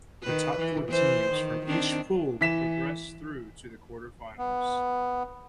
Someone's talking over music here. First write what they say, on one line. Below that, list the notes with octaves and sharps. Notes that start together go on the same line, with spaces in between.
The top four teams from each pool progressed through to the quarter-finals.
D#3 B4
E3
E3 C5
D#3
D#3 C4 D4
E3 B6 E7
B3